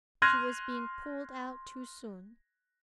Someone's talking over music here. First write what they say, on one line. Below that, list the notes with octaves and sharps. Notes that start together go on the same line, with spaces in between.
She was being pulled out too soon.
C6 F6 F#6 G#6 A#6 D#7